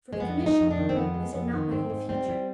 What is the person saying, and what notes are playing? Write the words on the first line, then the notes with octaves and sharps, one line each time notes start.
"For the commission; is it not my whole future?"
G#3
F2 B3
G#3
D#4
F2
D4
D#3
C4
F2 B3
G#3
F2 B3
D#3
G#2 C4
G#2
G3 C4
G3